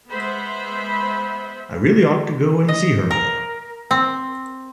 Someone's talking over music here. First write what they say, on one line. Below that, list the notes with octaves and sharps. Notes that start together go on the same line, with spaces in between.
I really ought to go and see her more.
G#3 B3 C5 E5 B5
D#5
A#4
C4